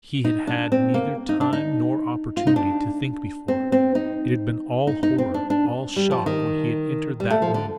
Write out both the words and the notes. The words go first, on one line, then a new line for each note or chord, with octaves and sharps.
He had had neither time nor opportunity to think before; it had been all horror, all shock when he had entered that room.
D#4
D4
C4
A#3
D#4
D4
D#4
F4
D#4
D4
C4
C4
D#4
D#4
D#4
C4
D4
D4
G3
F3
D#3
G3
A3
F3
D3